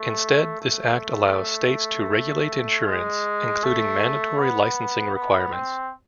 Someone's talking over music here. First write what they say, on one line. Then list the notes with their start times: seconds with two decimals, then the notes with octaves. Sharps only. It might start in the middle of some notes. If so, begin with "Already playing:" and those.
Instead, this act allowed states to regulate insurance, including mandatory licensing requirements.
Already playing: A3
0.61 A3
2.87 G#3
3.63 A3
4.39 B3
5.15 B3
5.52 C4